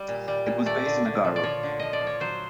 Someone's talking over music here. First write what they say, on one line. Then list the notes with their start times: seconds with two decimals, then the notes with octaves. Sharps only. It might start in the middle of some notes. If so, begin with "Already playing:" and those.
It was based in Agaro.
Already playing: G3
0.08 A#2
0.28 G3
0.46 A#2
0.66 A3 D5
0.85 D3
1.05 D3
1.25 F3
1.36 D5
1.43 F3 C#5
1.63 D3
1.80 F3 D#5
1.93 D5
2.01 F3
2.07 C#5
2.20 F#3 C5